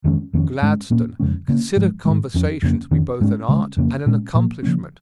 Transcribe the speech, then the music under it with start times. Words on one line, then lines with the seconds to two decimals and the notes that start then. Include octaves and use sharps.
Gladstone considered conversation to be both an art and an accomplishment.
0.04 F2 D#3 G#3 C#4
0.33 F2 D#3 A#3 C#4
0.62 G#2 G#3 C#4
0.90 A#2 A#3 C#4
1.20 F2 C#3 G#3 C#4
1.48 C#3 A#3 C#4
1.76 G#2 F3 G#3
2.05 G#2 D#3 G#3
2.34 F2 F3 C#4
2.62 F2 C#3 A#3 C#4
2.91 F2 D#3 C#4
3.20 G#2 G#3 C#4
3.48 C#3 G#3 C#4
3.77 F2 C#3 A#3 C#4
4.06 A#2 G#3 C#4
4.34 A#2 F3 A#3
4.63 C#3 F3 A#3 C#4